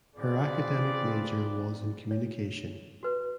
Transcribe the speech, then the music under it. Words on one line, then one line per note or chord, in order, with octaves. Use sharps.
Her academic major was in Communication.
C4 F4 G#4 B4 D5
C#5
F#4 B4